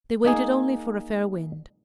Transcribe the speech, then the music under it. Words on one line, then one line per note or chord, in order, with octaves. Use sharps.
They waited only for a fair wind.
A#3 D#4 G#4